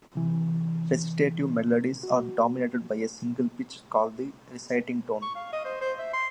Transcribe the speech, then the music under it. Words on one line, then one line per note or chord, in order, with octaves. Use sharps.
Recitative melodies are dominated by a single pitch, called the "reciting tone".
C3 E3
F#4
C#6
F5
D#5
C5
C5
E5
C6